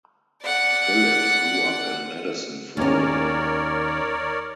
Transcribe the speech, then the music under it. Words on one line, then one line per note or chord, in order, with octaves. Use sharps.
Phillips grew up in Madison, Florida.
D5 F#5
D#2 C#4 A#4 C#5 D5